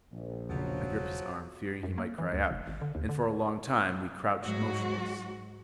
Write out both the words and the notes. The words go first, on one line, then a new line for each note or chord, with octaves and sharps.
I gripped his arm, fearing he might cry out, and for a long time we crouched motionless.
A#1
E1 C#3 F3 F#3
F#2
A#3
E3
D2
F1
G#1
D3
D#2
D3
G#2 F#3 F#4